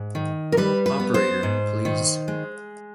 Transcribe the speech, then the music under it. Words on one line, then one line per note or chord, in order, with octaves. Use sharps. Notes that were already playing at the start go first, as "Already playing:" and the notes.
Operator, please.
Already playing: G#2
D#3
A#4
G3 B4
B4
B3
C5
G#2
D#3
G#3